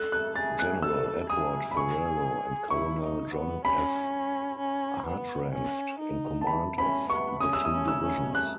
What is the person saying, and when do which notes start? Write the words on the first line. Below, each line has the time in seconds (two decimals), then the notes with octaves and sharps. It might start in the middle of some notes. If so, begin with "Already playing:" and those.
General Edward Ferrero and Colonel John F. Hartranft in command of the two divisions.
Already playing: A4 F#6
0.12 F#6
0.36 G#4 A6
0.59 F#6
0.83 A4 E6
1.29 G#4 D#6
1.71 B5
1.77 G#4 C#6
2.70 E4 C#6
3.03 D#4
3.33 B3
3.65 C#4 B5
4.59 C#4
5.06 B3
5.53 C#4
5.99 D#4
6.41 A5
6.47 B5
6.78 C#4 B5
7.10 B3 C#6
7.41 C#4 D#6
7.53 E6
7.65 D#6
7.72 C#4
7.88 E6
8.03 C#4
8.35 F#6